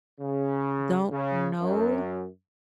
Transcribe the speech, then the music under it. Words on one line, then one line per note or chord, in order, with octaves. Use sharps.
don't know?
C#3
C#3
F#2